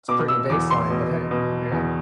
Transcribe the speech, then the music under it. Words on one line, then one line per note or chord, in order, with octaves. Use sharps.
it's pretty baseline, but hey, yeah.
B2 D6
E6
E2 D6
C6
B2
B2
E2